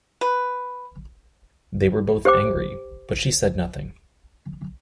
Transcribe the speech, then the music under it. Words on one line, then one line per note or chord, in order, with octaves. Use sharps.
They were both angry, but she said nothing.
B4
G4 C5 G5 D6